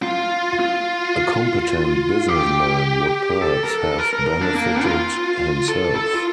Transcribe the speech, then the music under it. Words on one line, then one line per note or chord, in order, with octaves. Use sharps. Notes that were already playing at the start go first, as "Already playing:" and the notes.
A competent business-man would perhaps have benefited himself.
F4
F4
G4
A4
A#4
A4
A#4
A#4
A#4
D4
A#3
F4
A4
A4
F4